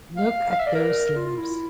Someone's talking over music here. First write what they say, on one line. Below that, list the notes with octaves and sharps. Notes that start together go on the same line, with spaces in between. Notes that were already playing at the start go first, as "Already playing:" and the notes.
Look at those sleeves!
F5
F5
E5
D5
A#4
F4
F4
E4